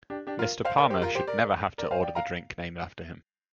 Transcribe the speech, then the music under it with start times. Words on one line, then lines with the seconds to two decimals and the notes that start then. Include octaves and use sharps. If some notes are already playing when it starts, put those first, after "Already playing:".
Mr. Palmer should never have to order the drink named after him.
0.10 D4 G4
0.27 D4 G4
0.39 F4 A#4
0.65 C5 F5
0.77 A#4 D5
0.90 G4 C5
1.02 F4 A#4
1.15 G4 C5
1.27 A#4 D5
1.78 A#4 D5
1.91 C5 F5
2.03 D5 G5
2.15 F5 A#5